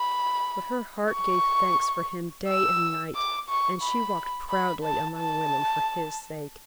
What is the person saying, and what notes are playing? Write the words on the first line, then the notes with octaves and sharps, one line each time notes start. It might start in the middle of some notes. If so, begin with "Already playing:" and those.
But her heart gave thanks for him day and night; and she walked proudly among women for his sake.
Already playing: B5
C#6
E6
D6
C#6
B5
B5
A5
A5